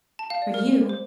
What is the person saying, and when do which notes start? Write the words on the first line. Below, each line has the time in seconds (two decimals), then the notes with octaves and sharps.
"For you?"
0.19 A5
0.30 F5
0.42 D5
0.54 A#4
0.89 C5